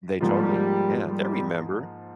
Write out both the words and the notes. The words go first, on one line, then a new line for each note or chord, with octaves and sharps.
They totally Yeah, they remember.
G#2 F3 G3 A#3 F4
G3